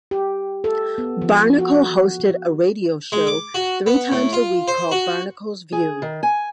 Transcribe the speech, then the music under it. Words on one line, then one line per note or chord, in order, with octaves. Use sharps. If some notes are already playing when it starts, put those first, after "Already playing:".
Barnicle hosted a radio show three times a week called "Barnicle's View".
G4
A4
B3
F3
F#4
G#3
D6
F#4
B3
A2
F4
C5
F#4
G#4
D#3
G#5